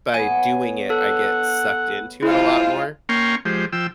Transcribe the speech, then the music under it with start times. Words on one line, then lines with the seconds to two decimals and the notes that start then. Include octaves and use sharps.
by doing it, I get sucked into it a lot more,
0.14 F#3 B3 G#5
0.90 A4 F#5
2.23 G#3 E4 F4 C5
3.09 A#3 C#4 G5 A#5 C6 C#6
3.45 F3 G#3 G4 C5
3.73 F3 G5 E6